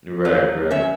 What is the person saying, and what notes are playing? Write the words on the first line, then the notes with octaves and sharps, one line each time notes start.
Right, right.
F#3 F5
C#4 E5